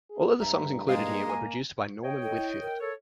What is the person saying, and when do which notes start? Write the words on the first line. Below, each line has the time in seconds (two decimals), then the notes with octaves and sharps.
All of the songs included here were produced by Norman Whitfield.
0.10 G#4
0.40 G2 E5 A#5
0.89 G#3 A#3 D5 F5 A#5
1.26 D#5 G#5
2.03 C#5 D#5 G5
2.23 A4
2.36 E4
2.62 A#4
2.80 A4 C#5